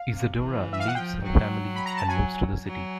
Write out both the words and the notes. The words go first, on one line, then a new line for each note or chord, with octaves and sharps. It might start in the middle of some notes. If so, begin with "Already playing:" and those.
Isadora leaves her family and moves to the city.
Already playing: F5
C3
E3
E5
F5
F#5
F3 G5
F#3
B5
A#5
A5
F#3 G#5
F#3